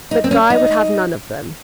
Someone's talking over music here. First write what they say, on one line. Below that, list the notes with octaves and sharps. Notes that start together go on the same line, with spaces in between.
But Guy would have none of them.
D#4
C4
C#4
D#4